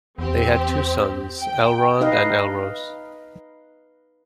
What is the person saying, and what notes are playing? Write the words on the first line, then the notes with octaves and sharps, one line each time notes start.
They had two sons, Elrond and Elros.
E2 C4 G4
G5
D#4 B4 D#5 F5